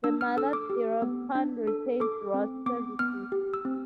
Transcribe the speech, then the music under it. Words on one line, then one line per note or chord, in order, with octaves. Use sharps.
The mother thereupon retained Ross's services.
D4 E6
F6
A4 E6
D6
G4
B3
D4
A4
A4 D6
C4
B3 D6
B3 F6
G4
E6
C4